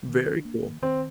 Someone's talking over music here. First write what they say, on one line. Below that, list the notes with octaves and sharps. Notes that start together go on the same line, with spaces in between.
Very cool.
D#3
D4
A#3
D#3
D#3 C4